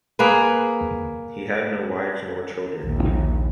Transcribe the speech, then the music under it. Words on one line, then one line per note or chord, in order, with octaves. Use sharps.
He had no wives nor children.
A#3 G#4 B4
A#1 D#2